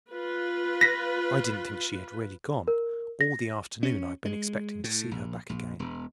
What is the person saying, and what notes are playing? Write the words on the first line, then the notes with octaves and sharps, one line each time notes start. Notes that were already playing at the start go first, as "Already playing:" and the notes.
'I didn't think she had really gone; all the afternoon I've been expecting to see her back again.
F4 B4
A#6 B6
A#4
A#6
C#4
G#3
A2
A#1
A#1
E1